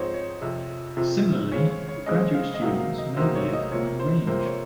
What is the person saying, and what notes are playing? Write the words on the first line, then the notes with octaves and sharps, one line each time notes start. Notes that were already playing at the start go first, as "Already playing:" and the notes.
Similarly, graduate students may live on The Range.
Already playing: G#2 F3 C4 D#4 C5 C#5
C#5
F2 C3 F3
F2 C3 F3
C#3 G#3 C4 C#5
C#5
C#5
C#3 G#3 C4 D#5
F5
D#5
C3 F#3 A#3 D#4 F5
F5
D#5
C3 F#3 A#3 D#4 C5
C#5
D#5
C3 F3 A#3 C#5
C5
C3 F3 A#3 C5
C5
C#5